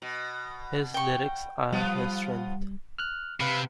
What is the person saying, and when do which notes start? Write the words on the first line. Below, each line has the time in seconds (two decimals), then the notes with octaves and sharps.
His lyrics are his strength.
0.02 B2
0.94 G5 C#6
1.72 F3 G3 B3 F4
2.98 F6 F#6
3.40 C3 B4 F5 B5